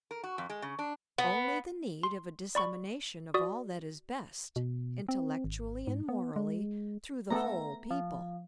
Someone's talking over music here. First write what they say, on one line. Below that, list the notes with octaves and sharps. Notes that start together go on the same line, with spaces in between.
Only the need of a dissemination of all that is best, intellectually and morally, through the whole people.
A#4
F#4
F2
G#3
C#3
D4
B3
C6
D5 B5 C#6
F#4 D5 D#6
B2
C4
G#1
G#2
B3
G#3
A3 B3 A4 A#5
F3